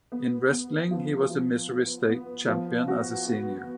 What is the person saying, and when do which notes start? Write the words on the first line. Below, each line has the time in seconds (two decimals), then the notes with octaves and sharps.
In wrestling, he was the Missouri State Champion as a senior.
0.12 B3
0.52 B3
0.91 F3
1.30 F3
1.69 B3
2.09 B3
2.48 F3
2.88 F#4
3.27 B3